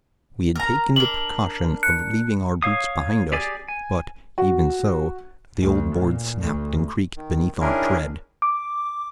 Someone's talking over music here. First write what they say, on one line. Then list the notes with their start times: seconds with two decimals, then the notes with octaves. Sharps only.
We had taken the precaution of leaving our boots behind us, but, even so, the old boards snapped and creaked beneath our tread.
0.56 A#4 A#5
0.96 D4 A#4 F#7
1.83 F#6 C#7
2.62 C#5 F5 D#6
3.32 G4 G#4 D5 G#5
3.68 G#5
4.38 F#4
5.61 D2
5.99 A#2
6.41 D2
7.16 D#3
7.61 D#3 C#4 D4 E4 G#4 A#4
8.42 D6